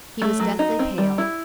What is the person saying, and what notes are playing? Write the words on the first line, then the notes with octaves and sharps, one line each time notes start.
He was deathly pale.
A3
F#3
D#4
C4
G3
E4